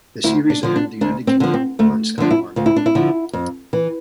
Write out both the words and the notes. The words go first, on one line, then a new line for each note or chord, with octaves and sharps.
The series aired the United Kingdom on Sky One.
D2 E4
D4
D3 F3
D4
D2 D4
C4
D3 F3
C4
D2 A3
D3 F3 D4
E4
D2 F4
E4
D4
E4
D3 F3
F2
E3